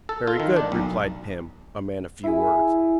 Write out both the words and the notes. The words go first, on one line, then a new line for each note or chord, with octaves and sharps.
"Very good," replied Pim, a man of few words.
A4
F4
D#3
D4
B1
E4 G#4